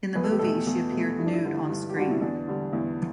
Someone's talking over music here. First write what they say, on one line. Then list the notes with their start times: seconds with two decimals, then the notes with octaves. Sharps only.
In the movie, she appeared nude on-screen.
0.15 E2 B4
0.24 A4
0.31 G4
0.39 B2 A3 A4
0.67 E2
0.92 B2 A3
1.18 G2 E4
1.26 D4
1.33 E4
1.45 D3 G3
1.69 G2
1.89 G4
1.96 D3 G3 F#4
2.10 E4
2.21 E2 D4
2.47 D3 G3
2.73 E2 E4